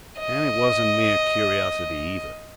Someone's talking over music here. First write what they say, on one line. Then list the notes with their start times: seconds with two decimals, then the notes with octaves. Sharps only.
And it wasn't mere curiosity, either.
0.19 D#5